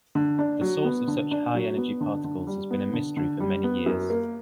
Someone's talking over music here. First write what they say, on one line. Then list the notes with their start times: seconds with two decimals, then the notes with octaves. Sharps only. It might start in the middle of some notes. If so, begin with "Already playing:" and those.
The source of such high energy particles has been a mystery for many years.
0.15 D3
0.39 D4
0.61 F#3
0.84 B3
1.08 D3
1.31 D4
1.55 F#3
1.77 B3
2.01 D3
2.24 D3
2.47 G3
2.70 B3
2.93 D3
3.17 D3
3.40 G3
3.64 B3
3.86 F#2
4.10 A#3